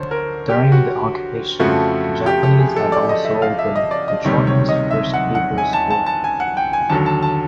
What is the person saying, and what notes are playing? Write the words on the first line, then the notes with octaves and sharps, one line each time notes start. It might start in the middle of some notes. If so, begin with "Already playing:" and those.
During the occupation, the Japanese had also opened the Shonan First People's School.
Already playing: D2 D3 C5 C#5
A#4
G4
F#4
F2 C#3 F3 A3 F#4
G4
G4
G#4
A4
D5
D#5
E5
F5
E5
D#5
D5
D#5
D2 C3 D#3 G3 C#5
C#5
D#5
E5
F#5
F#5
G#5
A5
A5
A5
G#5
F#5
G5
G#5
D#2 D3 F#3 A5
A5
A5